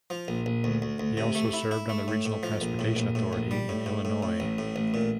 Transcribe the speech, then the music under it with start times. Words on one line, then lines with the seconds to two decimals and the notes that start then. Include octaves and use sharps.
He also served on the Regional Transportation Authority in Illinois.
0.10 F3
0.28 A#1
0.46 A#1
0.64 D2
0.82 D2
1.00 D2
1.17 C3
1.35 A3
1.53 E4
1.71 E4
1.89 A3
2.08 A2
2.26 A2
2.43 F3
2.61 A#1
2.79 A2
2.97 A#1
3.15 A2
3.33 A#1
3.51 G3
3.69 A2
3.86 A2
4.05 A2
4.23 A2
4.40 A1
4.58 A2
4.76 A1
4.94 A#2